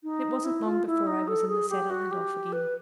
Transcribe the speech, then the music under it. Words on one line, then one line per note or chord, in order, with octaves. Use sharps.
It wasn't long before I was in the saddle and off again.
D#4
E4
F4
E4
D#4
A4
G#4
G4
F#4
G4
B4